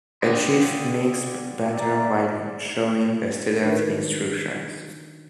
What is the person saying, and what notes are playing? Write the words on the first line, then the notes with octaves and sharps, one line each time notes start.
A chef mixes batter while showing a student instructions.
D3 F4 G4 C5 D#6
D5 E5 A#5
D#3 D4 D#4 F#4 A#4 B4